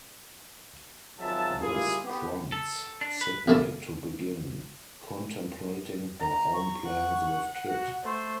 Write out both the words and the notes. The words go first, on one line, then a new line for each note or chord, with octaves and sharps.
This prompts Sydney to begin contemplating her own plans with Kit.
G#1 F3 F#3 G#3 E5 A5
G3 A#3 E4 F4 G#4
B3 G4
A4
D4
B4
A1 F#2 A3 A#3 E4 A5
A#5
C#6
F#5
F#4 F#5
A3 C5